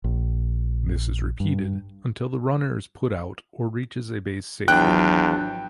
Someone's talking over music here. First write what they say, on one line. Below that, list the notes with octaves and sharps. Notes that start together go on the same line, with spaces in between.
This is repeated until the runner is put out or reaches a base safely.
A#1
G2
G#1 E2 F3 F#3 D4 G5 F#6